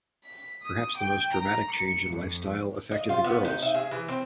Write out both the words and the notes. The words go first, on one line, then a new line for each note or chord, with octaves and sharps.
Perhaps the most dramatic change in lifestyle affected the girls.
B6
D#6
G5
A#5
C#7
F2
D#5
F4
B3
D#4
E5
G#4
E3
C4